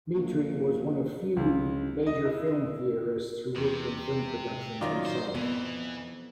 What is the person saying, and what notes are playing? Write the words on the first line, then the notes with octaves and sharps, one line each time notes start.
Mitry was one of few major film theorists who worked in film production himself.
A#1
C#2
D#5
E4
E2 C3
F#2 D#3 F#3 D#4 F4 D5
C5
F2 E3 B3